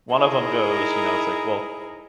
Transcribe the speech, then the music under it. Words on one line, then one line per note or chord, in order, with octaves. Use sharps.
one of them goes, you know, it's like, "Well,
D#4 E4 G#4 A#4